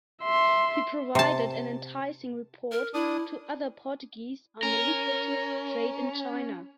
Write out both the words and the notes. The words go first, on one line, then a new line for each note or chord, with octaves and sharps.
He provided an enticing report to other Portuguese on the lucrative trade in China.
E5 C6
C3 A5
A#4
D4 E4 D#6
C#4 A#4